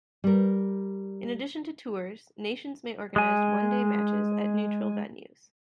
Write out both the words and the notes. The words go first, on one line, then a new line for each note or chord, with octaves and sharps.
In addition to tours, nations may organise one-day matches at neutral venues.
G3 A#4
G#3 G#5